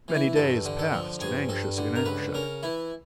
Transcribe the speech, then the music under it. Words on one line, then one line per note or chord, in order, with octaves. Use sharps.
Many days passed in anxious inaction.
E3
E4
G2 A4
D3
A4
F3
G2 G#4
G2 A4
D3
A#4
C#2 B4
C#3 A#4
E3 E4